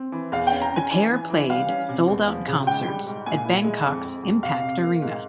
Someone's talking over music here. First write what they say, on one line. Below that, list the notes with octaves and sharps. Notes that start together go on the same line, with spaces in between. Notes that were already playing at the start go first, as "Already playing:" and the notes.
The pair played sold-out concerts at Bangkok's Impact Arena.
Already playing: C4
E3
E2 F5
G5
C#4
A#5
C#4 G#5
E3 G#5
E3
E3
G3 F5
C#4
C3
E2
F3
C#3
G#2 G5
G3
G#2
A#2 G#5
E4
G#3
F2
F2
F2
C3 F5
C3
A#3
G#2